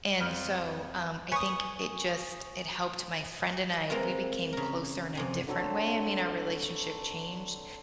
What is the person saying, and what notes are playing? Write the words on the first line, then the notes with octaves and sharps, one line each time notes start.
and so, um, I think it just it helped my friend and I, we became closer in a different way, I mean, our relationship changed.
F2 F6
B4 C#5 G#5 C#6 D#6
G#3 A#3 C4 E4 F4
C#3 A#4
F2 C3 G#5
D3 F#3 C4 A4